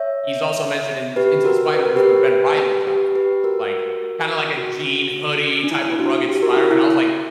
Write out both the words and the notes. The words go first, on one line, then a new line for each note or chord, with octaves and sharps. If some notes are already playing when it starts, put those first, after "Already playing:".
he's also mentioned in s into the Spider-Verse, but Ben Reilly's outfit, which is, like, kinda like, a jean, hoodie type of rugged Spider-Man, I was like
Already playing: C#5 E5
G4 B4
F#4 A#4
B4
A#4
G4 B4
G4 B4
G4 B4
F#4 A#4
F#4
D4
E4
E4
F#4
G4
F#4 A#4
E4
E4